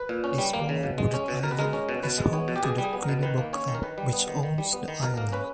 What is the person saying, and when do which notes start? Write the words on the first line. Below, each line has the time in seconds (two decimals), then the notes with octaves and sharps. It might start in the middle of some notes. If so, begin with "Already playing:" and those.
This small wooded Island is home to the Quinnebog Club, which owns the island.
Already playing: B4
0.09 A#2
0.24 C#4
0.38 G3
0.53 A#3
0.69 C#3
0.83 B2
0.98 G#3
1.14 C#4
1.28 B2
1.43 B2 A#4
1.51 B4
1.59 G#3 A#4
1.73 C#4
1.89 B2
2.03 B2 B4
2.18 G#3
2.33 B3 C#5
2.48 B2
2.56 G4
2.63 B2 G#4
2.78 G3
2.84 G#4
2.93 B3
3.03 A#4
3.08 B2
3.23 D#3 B4
3.38 A#3
3.53 C#4 C#5
3.68 D#3
3.75 A#4
3.83 D#3 B4
3.98 G3
4.13 B3
4.28 D#3
4.43 D#3
4.58 G3
4.73 B3
4.88 D#3
5.02 B2 A#4
5.17 A#3 A#4
5.32 C#4 B4